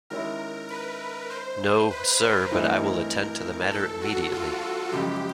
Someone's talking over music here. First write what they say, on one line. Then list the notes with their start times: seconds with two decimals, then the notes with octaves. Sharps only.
No, sir, but I will attend to the matter immediately.
0.10 D#3 G#3 C#4 E4 A#4
0.70 B4
1.30 C5
1.91 B4
2.21 A#4
2.51 G2 E3 A3 C4 D#4
3.71 A4
4.01 F#4
4.32 F4
4.62 F#4
4.92 F#2 C#3 F3 G#3 G4